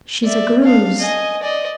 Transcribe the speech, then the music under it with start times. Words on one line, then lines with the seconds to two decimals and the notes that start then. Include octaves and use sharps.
She's a Greuze.
0.24 D5 E5
0.64 D4 F5
0.98 D#5 G#5
1.42 D5 D#5